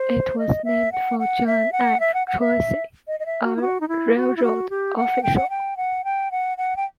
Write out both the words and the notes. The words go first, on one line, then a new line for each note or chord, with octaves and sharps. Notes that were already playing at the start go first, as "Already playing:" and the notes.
It was named for John F. Tracy, a railroad official.
Already playing: C5
D#5
E5
F#5
F#5
E5
F#5
E5
F#5
F#5
E5
D#5
D#5
E5
F#4
E4
F#4
D#4
E4
F#4
E4
F#4
G4
F#5
G5
F#5
G5
F#5
G5
F#5
F#5
G5